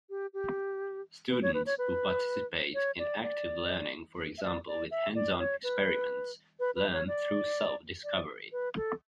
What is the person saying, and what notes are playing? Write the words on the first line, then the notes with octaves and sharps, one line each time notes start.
Students who participate in active learning for example with hands-on experiments learn through self-discovery.
G4
G4
B4
C#5
B4
C#5
B4
C#5
D5
D5
E5
D5
D5
E5
D5
C#5
B4
B4
B4
C#5
D5
D5
B4
A4